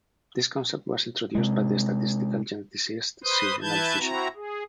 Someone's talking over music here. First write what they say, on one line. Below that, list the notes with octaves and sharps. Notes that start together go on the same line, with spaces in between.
This concept was introduced by the statistical geneticist Sir Ronald Fisher.
C3 G#3
B4 C5 C6 D#6
E3 E4 B4 A5 G6 G#6
C4 E4 F#4 A#5
G#4